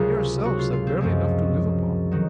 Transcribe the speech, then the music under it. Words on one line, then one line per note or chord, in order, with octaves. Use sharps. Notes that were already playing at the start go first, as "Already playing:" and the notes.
We ourselves have barely enough to live upon.
Already playing: C#2 C3 F#3 F4 G#4 A#4
F#4
F4
F4
C4
F#2 F3 G#3
D#3 F#3